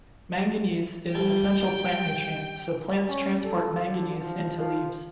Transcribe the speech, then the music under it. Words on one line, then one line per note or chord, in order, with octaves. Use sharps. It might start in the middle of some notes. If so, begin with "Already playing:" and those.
Manganese is an essential plant nutrient, so plants transport Mn into leaves.
G3 A4 G5 G#5
C#4
A4
D3
F3
F3